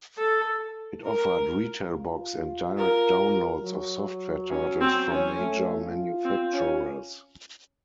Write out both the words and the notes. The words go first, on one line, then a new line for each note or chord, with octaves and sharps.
It offered retail box and direct downloads of software titles from major manufacturers.
A4
A#4
F4
A#4
F#3
C#4
C4
C#4
A3
F4
C4
C#4